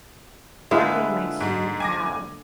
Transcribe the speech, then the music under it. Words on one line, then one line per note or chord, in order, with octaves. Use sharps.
working makes you have
D3 G#3 A#3 E4 F4 B4
G#2
G#5 D6 A#6